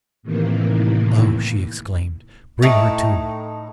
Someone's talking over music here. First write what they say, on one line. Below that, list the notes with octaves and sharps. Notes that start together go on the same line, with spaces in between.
"Oh!" she exclaimed, "bring her to me!"
A2 C3 D#3 E3 A#3
A2 D#4 A5